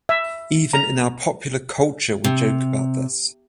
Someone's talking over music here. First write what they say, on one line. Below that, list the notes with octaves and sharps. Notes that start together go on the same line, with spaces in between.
Even in our popular culture we joke about this.
E5
A#5
C3